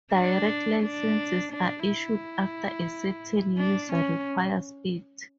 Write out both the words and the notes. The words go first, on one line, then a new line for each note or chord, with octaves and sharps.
"Direct Licenses" are issued after a certain user requires it.
D4
D4
D4
E4
D4
C#4